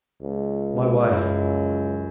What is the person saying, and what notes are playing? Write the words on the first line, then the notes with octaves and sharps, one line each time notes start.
"My wife!"
C#2
F#2 E4